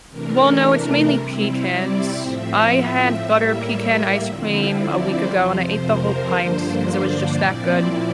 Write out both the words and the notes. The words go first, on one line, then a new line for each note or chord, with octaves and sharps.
Well, no, it's mainly pecans. I had butter pecan ice cream a week ago and I ate the whole pint 'cause it was just that good.
C3 E3 A3 D4 A#4
C3 G3 C4 E4
D5
A2 F3 C4 E5
E5
A2 G3 A#3 E5
D3 F3 C4 E4
D5
F2 C3 F3 C5
A#4
G2 D3 F3 A#3 D4 C5
D5
A#2 F3 C4 E4